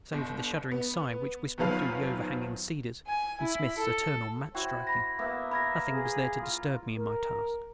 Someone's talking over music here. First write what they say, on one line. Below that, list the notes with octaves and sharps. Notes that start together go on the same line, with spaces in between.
Save for the shuddering sigh which whispered through the over-hanging cedars and Smith's eternal match-striking, nothing was there to disturb me in my task.
G1
B3
E2 D#3 F3 F#3 B4 F5
G#5
E4
A4
E4 F#4 C5 G5
B5 A#6
A#3 B3 E5
A#4 B5 G#6 A#6
G#4
F4
A#4